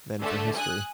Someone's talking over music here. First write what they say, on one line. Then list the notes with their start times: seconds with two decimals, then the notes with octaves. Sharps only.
than for history.
0.20 D3 A3
0.56 G#5 D#6 F#6